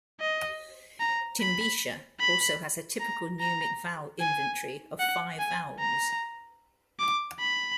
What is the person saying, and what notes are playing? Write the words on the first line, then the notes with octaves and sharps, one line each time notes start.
Timbisha also has a typical Numic vowel inventory of five vowels.
D#5
A#5
B5
B5
A#5
A#5
G#5
F#5
G#5
A#5
D6
B5